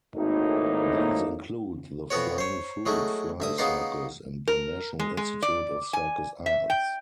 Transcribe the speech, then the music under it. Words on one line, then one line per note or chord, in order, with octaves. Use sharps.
These include the Flying Fruit Fly Circus and the National Institute of Circus Arts.
G#1 A2 A#3 D#4
F2 B2 B3 F#4 C#5
C5 C#5
F#3 G#3 A3 E4
D2 E5 D#6
C#3 A#3 B3 D#4 C6
A#4
G#3
G#3
D5
G#5
E5
G5